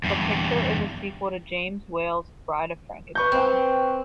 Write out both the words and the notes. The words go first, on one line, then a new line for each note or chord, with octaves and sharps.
The picture is a sequel to James Whale's "Bride of Frankenstein".
E2 G2
B4 C#6 G6
C4